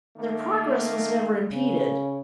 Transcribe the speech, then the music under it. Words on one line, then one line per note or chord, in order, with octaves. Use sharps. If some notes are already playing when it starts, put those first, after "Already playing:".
Their progress was never impeded.
D#3 A3 A#3
C#3